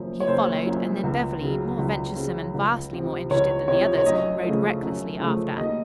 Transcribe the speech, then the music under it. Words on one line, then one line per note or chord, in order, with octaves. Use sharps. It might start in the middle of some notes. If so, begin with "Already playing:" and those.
He followed, and then Beverly, more venturesome and vastly more interested than the others, rode recklessly after.
Already playing: F#1 F#2 F3
C#5
F#1 C5
F#2 F3
C#2
C#3 F#3
C#2
C#3 F#3
C#2
C3 F3
C#2 C#5
C3 F3 C#5
C#5
F#2 D#5
C#3 F3 A3
F#2
C#3 F3 A3
D#2 D#5